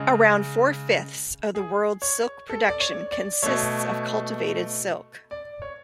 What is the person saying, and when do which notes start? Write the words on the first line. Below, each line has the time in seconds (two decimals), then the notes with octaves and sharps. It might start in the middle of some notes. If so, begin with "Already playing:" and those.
Around four-fifths of the world's silk production consists of cultivated silk.
Already playing: C#3 G#3
1.55 G#4
2.02 C#5
2.50 A4
2.69 D5
2.80 C#5
3.11 D5
3.43 B2 A3 C#5
5.31 D5
5.62 C#5